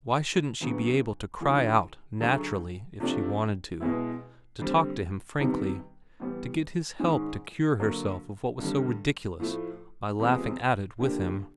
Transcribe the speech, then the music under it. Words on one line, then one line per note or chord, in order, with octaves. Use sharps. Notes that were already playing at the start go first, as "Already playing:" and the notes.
Why shouldn't she be able to cry out naturally if she wanted to, to talk to him frankly, to get his help to cure herself of what was so ridiculous by laughing at it with him?
D2 C#3 F#3 B3
D#2 D3 F3 G#3
D2 C#3 F#3 A3
C3 F3 A3 D4
B2 G#3 B3 E4
D3 G3 C4
C3 D#3 G3 B3
A2 E3 G3 B3
G#2 D#3 G#3 C#4
D3 F#3 A#3 D4
G2 D3 G3
A2 F3 A3
C3 F3 G#3 B3
D3 F3 A#3 D4 G4